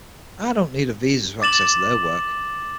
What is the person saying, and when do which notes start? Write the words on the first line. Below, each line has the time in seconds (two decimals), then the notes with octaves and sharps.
I don't need a visa to access their work.
1.42 D6 A6 E7 F#7